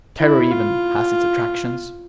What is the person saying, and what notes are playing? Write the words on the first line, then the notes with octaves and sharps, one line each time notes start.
Terror even has its attractions.
E4
F4